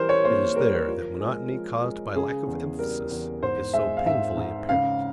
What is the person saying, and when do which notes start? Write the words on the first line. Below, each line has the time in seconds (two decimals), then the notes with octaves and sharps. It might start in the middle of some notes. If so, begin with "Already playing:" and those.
It is there that monotony caused by lack of emphasis is so painfully apparent.
Already playing: E3 G3 A#4 C5
0.09 C#5
0.25 A#3 C5
0.56 G3 A#4
0.88 F3
1.20 G#3
1.51 F3
1.84 G#3
2.16 C#3 G#4
2.47 E2
2.79 G3 A#4
3.10 E2
3.42 G#2 C5
3.74 G#3 E5
3.97 F5
4.06 G#2 E5
4.37 G#2
4.69 C#3 F5